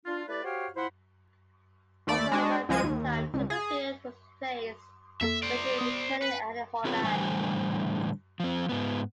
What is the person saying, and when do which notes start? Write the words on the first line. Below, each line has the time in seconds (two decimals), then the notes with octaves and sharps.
Also around this time Chipperfield was replaced with a returning Annie Holland.
0.06 D4 F4
0.28 A3 E4 G4 B4 D5
0.44 F#4 G4 C5 C#5 F5 G5
0.76 F3 E4 C5 F#5 B5 C6
2.07 D#2 A3 D5 B5
2.32 G#3 D4 F#4
2.69 C#2 F3 G#3 G#6 D#7
2.83 D#2
3.34 C#2
3.50 G#4
5.21 F2 A#3 A4 E5
5.43 C5 D5
5.78 B3 D#6
6.22 B4
6.85 B3 C4 F4 G#4 B4 C#5
7.02 A2 D3 E3 G3 C5 G#5
8.40 F3 C4
8.69 G#2 B3